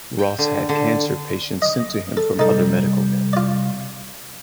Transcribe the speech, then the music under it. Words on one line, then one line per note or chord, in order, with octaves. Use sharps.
Ross had cancer patients sent to him from other medical men.
G5
D3
D3
D#5 D#6
A4
C3 G3 D#4 A4
F4 D5